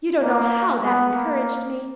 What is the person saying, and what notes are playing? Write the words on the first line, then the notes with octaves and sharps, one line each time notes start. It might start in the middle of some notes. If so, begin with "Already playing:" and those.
You don't know how that encouraged me.
A#3
B3
A#3